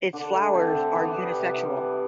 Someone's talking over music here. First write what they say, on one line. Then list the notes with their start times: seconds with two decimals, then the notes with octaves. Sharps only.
Its flowers are unisexual.
0.13 D3 D4
0.34 A3
0.54 D3 C4
0.75 D3
0.95 E3 B3
1.16 G3
1.36 C3
1.57 E3
1.77 E3